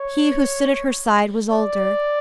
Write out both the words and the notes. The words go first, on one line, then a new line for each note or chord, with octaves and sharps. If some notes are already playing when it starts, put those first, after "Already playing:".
He who stood at her side was older.
Already playing: C#5
D5